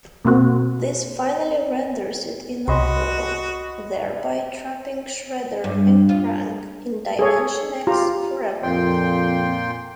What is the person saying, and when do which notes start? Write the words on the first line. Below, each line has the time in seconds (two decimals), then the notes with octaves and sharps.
This finally renders it inoperable, thereby trapping Shredder and Krang in Dimension X forever.
0.25 B2 A#3 C4 F#4
2.68 C2 F#4 D#5 B5 C6
5.64 G2
6.09 F4
7.19 G#4 A4 C#5
7.87 F4 G4 A#5
8.63 F2 A#2 G5 C6